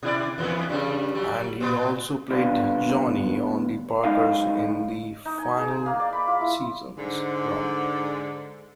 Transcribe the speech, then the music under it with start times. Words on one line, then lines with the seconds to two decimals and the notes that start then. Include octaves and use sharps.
And he also played "Johnnie" on "The Parkers" in the final season's run.
0.03 B2 E4 D5
0.38 E2 E3 B3
0.69 G2 C#3 G3
1.15 F#3 G3
1.60 A2 B3
2.31 A#2 D3 G3 B3 D4 F4
4.04 F#2 G#3 D#4 F5
5.25 D#4
5.38 G#5
5.57 G#4
5.71 G#5
5.86 A#3
6.00 D5
6.13 B5
6.28 F4
6.41 E4
6.97 G#2 D3